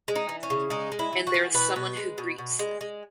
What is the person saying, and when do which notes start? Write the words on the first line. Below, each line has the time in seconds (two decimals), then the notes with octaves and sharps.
And there is someone who greets them.
0.08 G#3
0.16 D#4
0.29 E3
0.43 C#4
0.50 C#3
0.70 G#3 D#4
0.92 G#3
0.99 E4
1.13 E3
1.27 F#4
1.34 E3
1.54 B2 B4
1.76 B2
1.97 G#3
2.18 B2
2.38 B2
2.59 G#3
2.81 G#3